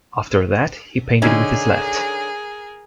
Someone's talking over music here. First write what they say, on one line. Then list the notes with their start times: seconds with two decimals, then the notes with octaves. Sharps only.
After that he painted with his left.
1.22 D3 C#4 D#4 G#4 A#4